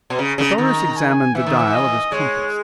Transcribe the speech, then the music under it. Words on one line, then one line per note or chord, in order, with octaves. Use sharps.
Carthoris examined the dial of his compass.
B2
C#3 A#5
C#3
D#3
G#5
E3 E5
D#3
E3
D#5
G#3 C#5